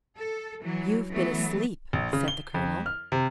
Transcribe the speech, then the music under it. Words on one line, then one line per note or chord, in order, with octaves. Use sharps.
"You've been asleep," said the colonel.
A4
E3 F#3
E3 F#3 A3 B3
A#1
C#3
G7
F2
F6
C3